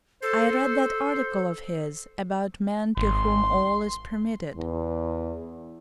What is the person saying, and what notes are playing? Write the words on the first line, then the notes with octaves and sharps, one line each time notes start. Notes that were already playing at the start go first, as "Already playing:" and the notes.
I read that article of his about men to whom all is permitted.
A4 C5
G#1 C6
E2